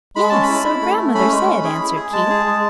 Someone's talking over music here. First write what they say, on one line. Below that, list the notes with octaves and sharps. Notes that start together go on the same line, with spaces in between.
"Yes, so grandmother said," answered Keith.
G#3 B5
C#4 A5
B5
E4
E4
A3
A3
C#4 B5
G#3
C#4
G#4
E4
G#4
G#3 A5
G#4
G#3